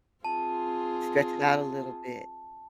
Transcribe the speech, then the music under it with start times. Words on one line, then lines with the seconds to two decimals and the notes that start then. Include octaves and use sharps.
Stretch it out a little bit.
0.25 C4 F4 G#4 A5